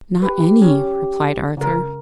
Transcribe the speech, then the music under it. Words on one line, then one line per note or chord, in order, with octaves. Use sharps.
"Not any," replied Arthur.
G4 B4
C#4
C#3 A#4